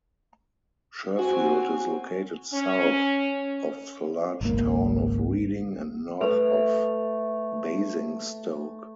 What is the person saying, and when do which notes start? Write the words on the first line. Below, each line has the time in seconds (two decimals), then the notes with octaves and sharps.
Sherfield is located south of the large town of Reading and north of Basingstoke.
1.19 C4 F#4 G#5
2.53 C#4
4.41 G#1 C#2 A#3
6.21 A3 A4 B4 F7